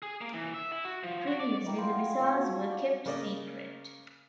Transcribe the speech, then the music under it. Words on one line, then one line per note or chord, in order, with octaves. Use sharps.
Previously, the results were kept secret.
G#4
A#3
E3
E5
E4
F#4
F3
F#4
D5
E3 A#4 G5
B3 F4 C5
D#5 G#5
G#2 F3 F#4 C#6
G#4
C#4 D5
C#3 A#3 D5 D#5 D6